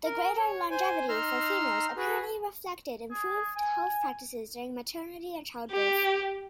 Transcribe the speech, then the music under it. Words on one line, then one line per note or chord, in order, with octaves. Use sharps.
The greater longevity for females apparently reflected improved health practices during maternity and childbirth.
A#4
C#5
C5 G#5
D#4 A#5 C6 E6 F6
F#4 G#4 B4
G#4
G#5
G4